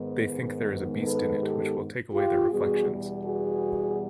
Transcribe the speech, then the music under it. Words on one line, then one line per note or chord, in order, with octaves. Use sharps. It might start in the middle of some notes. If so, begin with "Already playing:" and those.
They think there is a beast in it which will take away their reflections.
Already playing: G#2 D#3 G#3 B3
A4 B4
G4 A4
F4 G4
E2 B2 G3 B3 F#4 G#4
F#4 G#4